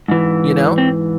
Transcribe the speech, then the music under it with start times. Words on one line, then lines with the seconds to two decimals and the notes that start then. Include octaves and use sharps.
You know?
0.08 G#2 E3
0.78 C4